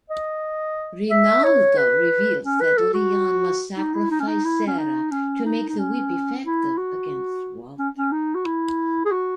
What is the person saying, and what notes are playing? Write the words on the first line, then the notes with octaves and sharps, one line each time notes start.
Rinaldo reveals that Leon must sacrifice Sara to make the whip effective against Walter.
D#5
E5
C#5
B4
C#4
B4
A4
F#4
D#4
E4
D#4
C#4
D#4
E4
C#4
D#4
C#4
D#4
D#4
C#4
E4
F#4
C#4
C#4
D#4
F#4
E4
G#4
F#4